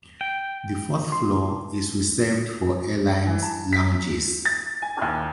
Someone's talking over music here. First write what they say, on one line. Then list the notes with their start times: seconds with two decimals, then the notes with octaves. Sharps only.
The fourth floor is reserved for airlines' lounges.
0.21 G5
1.12 C6
3.27 E3
3.42 A5
3.73 B6
4.45 A6
4.82 G#5
5.02 D#2